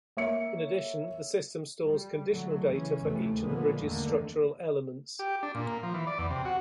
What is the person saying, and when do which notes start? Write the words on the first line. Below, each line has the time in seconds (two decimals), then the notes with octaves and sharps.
In addition, the system stores condition data for each of a bridge's structural elements.
0.17 A#3 C#5 E5 C#7
1.87 G3
2.30 D3 F#3 A3
2.71 C#3 E3 C#4
3.00 D#2 C3 E3 A3
3.41 A#2 D3 F3 G#3 A#3 B3
3.80 E2 G2 D3 D#3 A3 A#3
5.19 G4
5.43 D4
5.55 A#2
5.67 A#3
5.83 F3
5.94 E3
6.07 D5
6.19 E2
6.30 C3
6.45 F#4